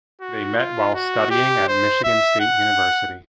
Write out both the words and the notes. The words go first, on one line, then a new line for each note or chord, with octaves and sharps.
They met while studying at Michigan State University.
F#4
F4
F#4
G4
C5
E5
F#5